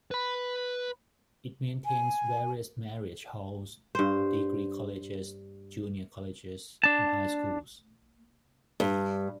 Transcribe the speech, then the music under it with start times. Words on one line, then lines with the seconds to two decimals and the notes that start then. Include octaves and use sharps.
It maintains various marriage halls, degree colleges, junior colleges and high schools.
0.11 B4 B5
1.85 G#5
3.95 G2 C5
6.84 D4 A5
8.80 G2